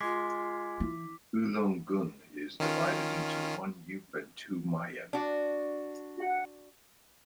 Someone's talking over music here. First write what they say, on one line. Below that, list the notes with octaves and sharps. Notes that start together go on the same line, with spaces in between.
Ulleung-gun is divided into one "eup" and two "myeon".
G#3 F4 D6 B6
E3
D#3 C#4 F4
D4 F#4